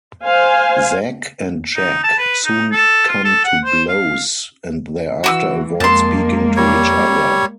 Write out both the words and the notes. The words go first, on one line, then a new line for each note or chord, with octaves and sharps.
Zack and Jack soon come to blows and thereafter avoid speaking to each other.
C5 F5 G#5
D#4
A5
B4
D#4
A4
F4
A4
F#5
C5
F5
E3 F#4 D6 E6
F2 G#3 A#3 A5 C6
G3 C#5